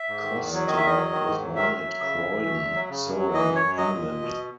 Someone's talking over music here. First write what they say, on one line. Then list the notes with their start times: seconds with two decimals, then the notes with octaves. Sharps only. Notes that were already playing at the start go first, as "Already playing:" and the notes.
Cosstick was born at Croydon, Surrey, England.
Already playing: E5
0.08 G#2
0.23 D#3
0.38 E2
0.53 F#3
0.67 D#3 D#5
0.77 E5
0.82 E2 D#5
0.96 F#3
1.12 D#3
1.27 G#2
1.41 F#3
1.56 D#3 E5
1.71 F#2
1.86 F#3
2.01 C#3
2.15 F#2
2.30 E3
2.45 B2
2.60 E2
2.74 F#3
2.89 C#3
3.05 F#2
3.19 F#3
3.34 E3 D#5
3.48 F#2
3.55 C#5
3.63 F#2
3.77 F#3 D#5
3.92 A#2
4.07 A#2
4.22 B2